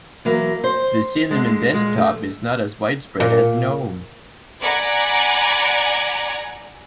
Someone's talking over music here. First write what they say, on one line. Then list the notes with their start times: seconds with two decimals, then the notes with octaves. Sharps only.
The cinnamon desktop is not as widespread as gnome.
0.25 E3 F#3 A#3
0.64 C5
1.31 D3 G#3
1.71 A#2 G#3
1.98 A3
3.20 A#2
4.62 D5 F#5 G#5 A#5 B5